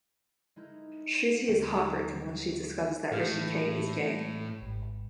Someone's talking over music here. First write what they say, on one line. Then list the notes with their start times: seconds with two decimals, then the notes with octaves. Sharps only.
Shruti is heartbroken when she discovers that Rishi K is gay.
0.56 G#3 D#4 E4 A#4
1.46 D#2 D3 F#3 G3 B3 C4
3.12 A2 F5 F6 G6
3.33 E3
4.62 G#1 G#2